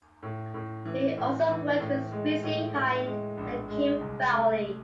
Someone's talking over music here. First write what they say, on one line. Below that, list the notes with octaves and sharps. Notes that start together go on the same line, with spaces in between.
He also worked with Chrissie Hynde and Kim Fowley.
A2
A2
E3
A2
E3
A2
G#3
A2
A2
G#3
A#1
G#3
C2
A3